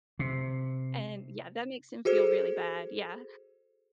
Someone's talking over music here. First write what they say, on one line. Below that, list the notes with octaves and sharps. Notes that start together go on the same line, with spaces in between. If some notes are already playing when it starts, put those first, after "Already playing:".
and yeah, that makes him feel really bad, yeah.
C3
F#4 G#4 A4 C5